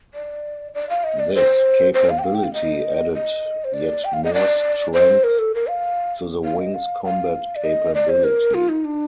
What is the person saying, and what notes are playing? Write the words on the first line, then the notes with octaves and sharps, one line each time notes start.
This capability added yet more strength to the wing's combat capability.
D5
D5
F5
D#5
D5
C5
C5
F5
G5
F5
G5
F5
D#5
D#5
C5
D5
G5
F5
D#5
D5
C5
A#4
A4
A#4
F5
F5
D#5
F5
F5
D5
D#5
D5
C5
A#4
F4
D#4
D4